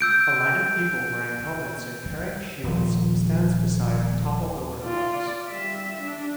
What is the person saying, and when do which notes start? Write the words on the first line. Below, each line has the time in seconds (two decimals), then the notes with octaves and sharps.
A line of people wearing helmets and carrying shields stands beside toppled over cars.
0.01 E6 G6 D7
2.64 D#1 F3
4.83 F4 D5
5.49 G3 E5
6.01 D4